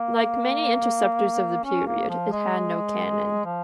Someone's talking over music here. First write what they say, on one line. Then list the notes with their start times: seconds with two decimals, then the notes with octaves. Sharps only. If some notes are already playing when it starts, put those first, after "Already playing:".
Like many interceptors of the period, it had no cannon.
Already playing: A#3
1.64 C#4
1.87 A#3
2.09 F3
2.32 G#3
3.45 F3